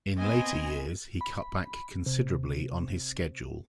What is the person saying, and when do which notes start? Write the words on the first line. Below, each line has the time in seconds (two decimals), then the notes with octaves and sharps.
In later years, he cut back considerably on his schedule.
0.18 B3 C4 D#5 G#5
1.21 B5
2.06 C3